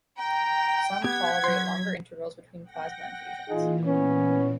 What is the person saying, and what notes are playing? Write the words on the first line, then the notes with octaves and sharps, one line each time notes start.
Some tolerate longer intervals between plasma infusions.
G5 A#5
B3 G4 F#5 G#6 B6
F#3 C6
F#5 G5 A#6
A#2 E3 D#4 F4 G#4
B3 C#4